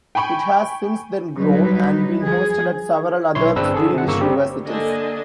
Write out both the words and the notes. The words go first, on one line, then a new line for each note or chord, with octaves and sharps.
It has since then grown and been hosted at several other Swedish universities.
G5 G#5 B5 C#6
F#3 G3 D#4 B4
F3 G#4
B1 E4 C#5 C6
G1 C4 D4 G#4 B4 E6
D3 G#4 A4
C3 F#5
G1 C#3 A#3 C#6 E6
G3 C4 G4
D3 A#3 D4 D#5 G#5